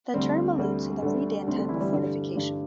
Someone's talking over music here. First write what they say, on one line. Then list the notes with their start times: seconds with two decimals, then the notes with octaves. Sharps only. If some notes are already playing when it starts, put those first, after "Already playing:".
The term alludes to the "Redan" type of fortification.
0.14 D2 D3 G3 C4
0.58 D2 D3 G3
1.02 D2 D3 G3 A3
1.47 D2 D3 G3 C4
1.58 D3 D4
1.69 E3 E4
1.80 G3 G4
1.92 G2 D3 G3
2.35 G2 D3 G3